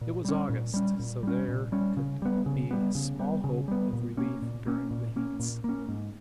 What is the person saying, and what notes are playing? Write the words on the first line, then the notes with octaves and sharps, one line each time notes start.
It was August; so there could be small hope of relief during the heats.
A#2
G3 C#4
A#2
G3 C#4
A#2
G3 C#4
A#2
G3 C#4
C#3
G3 B3
C#3
G3 B3
C#3
G3 B3
C#3
G3 B3
A#2
A#3 C#4
A#2
A#3 C#4
A#2
A#3 C#4
A#2
A#3 C#4
G#2